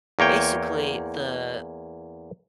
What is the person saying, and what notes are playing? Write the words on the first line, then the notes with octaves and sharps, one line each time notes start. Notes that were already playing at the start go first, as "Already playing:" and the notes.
basically the
E2 A#3 C#5 G5